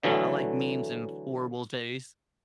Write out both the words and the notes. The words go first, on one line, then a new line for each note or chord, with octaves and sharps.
Uh, I like memes in horrible taste.
D3 E3 F#3 A3